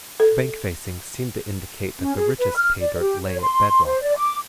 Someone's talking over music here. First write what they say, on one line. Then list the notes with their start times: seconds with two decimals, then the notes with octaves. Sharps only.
Bank facings seemed to indicate that the richest pay-dirt lay at bed-rock.
0.20 A4
2.00 C#4
2.17 G#4
2.38 B4
2.56 F6
2.80 D5
3.00 G4
3.26 C#5
3.40 C6
3.85 C5
4.01 D5
4.17 D6